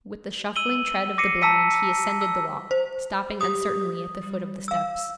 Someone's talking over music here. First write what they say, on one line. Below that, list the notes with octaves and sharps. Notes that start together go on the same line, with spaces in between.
With the shuffling tread of the blind he ascended the walk, stopping uncertainly at the foot of the steps.
E6 D#7 F#7 G7
D6 A#6 C7 C#7 D#7
A5 A#5 E6 B6 C#7 D#7
E6
C5
G4 D#6
G3
F5 E6